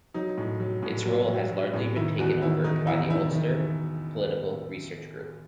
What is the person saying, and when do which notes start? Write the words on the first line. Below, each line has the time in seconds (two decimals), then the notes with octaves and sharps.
Its role has largely been taken over by the Ulster Political Research Group.
0.14 F#3 D#4
0.37 A2
0.60 F#3
0.83 A2
1.05 F#3
1.28 F#3
1.51 F#3
1.73 A2
1.96 D#3 E4
2.19 E2 F#4
2.42 D#3 E4
2.64 D#3 D#4
2.87 E2 E4
3.10 D#3 E4
3.33 D#3